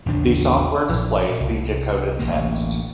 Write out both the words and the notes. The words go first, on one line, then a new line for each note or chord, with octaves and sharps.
The software displays the decoded text.
A1 D#2 C#3 D4
A#1
C2
A1 D2 A#3